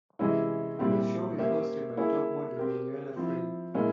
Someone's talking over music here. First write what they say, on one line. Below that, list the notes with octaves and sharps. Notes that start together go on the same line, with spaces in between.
The show is hosted by Topmodel Manuela Frey.
C3 E3 G#3 C#4 E4
A#2 G3 C4 E4 G4
A#3 C#4 G4 C5 E5
A#3 C#4 E4 G#4 C#5
C4 G4 A#4
F3 C4 E4
A#2 G#3 C#4 E4 A#4